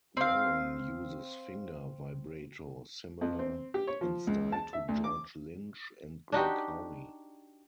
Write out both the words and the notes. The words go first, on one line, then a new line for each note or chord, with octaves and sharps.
Warren uses finger vibrato, similar in style to George Lynch and Greg Howe.
C4 F5
F2
C4
G4
C#5
F3
C#2
A5
E5
D2
D6
D4 D#4 F#4 G4